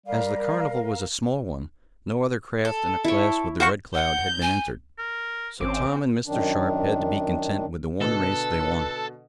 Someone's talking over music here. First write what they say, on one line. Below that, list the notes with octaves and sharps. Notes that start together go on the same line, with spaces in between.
As the carnival was a small one, no other craft in a class with the Red Cloud had been entered, so Tom and Mr. Sharp had to be content with the one race they won.
G3 A#4 F5
A4
E4 C#5
F4 F#4 C5 C#6
F#5 G6
G#5
A#4
G#1 C4 C#4 D6
F#2 D#3 D4
B2 D3 A4 B4